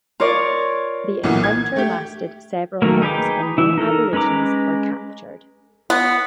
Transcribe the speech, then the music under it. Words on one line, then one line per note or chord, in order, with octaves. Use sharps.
The encounter lasted several hours, and no Aborigines were captured.
F4 A#4 C#5 D5
B1 A#2 E3 B3
G#6
A3 G4
D#3 F#3 A3 A#3
D#4 G#4 B4 G5 D6
E3 E4
D#4 A4 A#4
G#3 C#4 B4 A#5 D6
B3